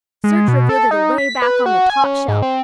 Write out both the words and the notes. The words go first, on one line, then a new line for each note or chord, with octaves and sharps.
Search revealed it away back on the top shelf.
G#3
B2
A4
D#4
B6
B4
F#4
G#5
C#4
G#2
C4